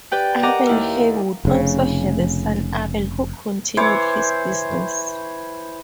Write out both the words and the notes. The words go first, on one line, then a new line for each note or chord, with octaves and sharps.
Abel Heywood also had a son Abel who continued his business.
G4 B4 D5 G5
G4 A#4 D#5 F#5 A#5 D6
D#2 E4 F6
F1 C#3
E3 C5 C#5 D6